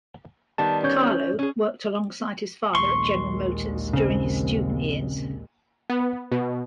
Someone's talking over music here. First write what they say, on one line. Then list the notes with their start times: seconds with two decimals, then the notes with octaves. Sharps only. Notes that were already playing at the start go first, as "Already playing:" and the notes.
Carlo worked alongside his father at General Motors during his student years.
0.58 D#3 G3 B3 A5
0.83 C#4 C#5 G6
1.39 C#4 G#4
2.75 A#1 D#2 G#3 C6 C#6
3.93 C#3 C4
5.90 B3
6.32 B2